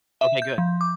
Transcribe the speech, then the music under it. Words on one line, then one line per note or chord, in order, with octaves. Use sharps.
Okay, good.
E5
G6
F3
D6